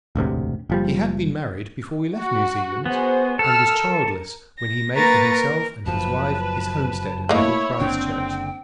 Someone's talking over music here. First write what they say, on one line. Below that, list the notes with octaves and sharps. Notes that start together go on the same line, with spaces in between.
He had been married before we left New Zealand, and was childless when he made for himself and his wife his homestead at Little Christchurch.
E1 A1 D2 C3
F#1 F3 G3
F#4
B3 F#4 G#4 C5
A4 A5 E6 F6
A#4
A#6
A#3 A#4 B4 A#5 C#6 A6
A#4
F#1 F#2 F3 B4 A5
A3 A#3 E4 C#5 D#5
F#1 D3 C4 D4 G5